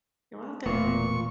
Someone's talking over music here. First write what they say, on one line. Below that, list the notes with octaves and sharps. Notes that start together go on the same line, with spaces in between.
You're welcome.
E1 A#2 A3 B3 F5 C#6